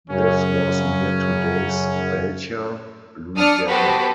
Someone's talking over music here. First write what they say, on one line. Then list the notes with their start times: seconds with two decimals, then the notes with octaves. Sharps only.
This was near today's Belcher, Louisiana.
0.11 F#2 C#3 C#4
3.36 D4 D#6 F6 C#7
3.68 B3 F#4 G4 A4 B4 C5